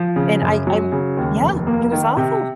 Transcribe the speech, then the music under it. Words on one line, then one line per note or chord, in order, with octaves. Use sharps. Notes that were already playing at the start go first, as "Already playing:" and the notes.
And I I'm Yeah, it was awful.
Already playing: F3
C#3
F#2
F#3
C#3
D#2
F1
A#3
D#3
C3